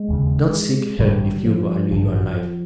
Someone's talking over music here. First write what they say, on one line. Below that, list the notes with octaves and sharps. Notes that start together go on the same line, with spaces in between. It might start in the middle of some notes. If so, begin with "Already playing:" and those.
"Don't seek help if you value your life."
Already playing: G#3
E1 D#2 C#3
A1 G2 D3 G3
F3
A1 G2 D3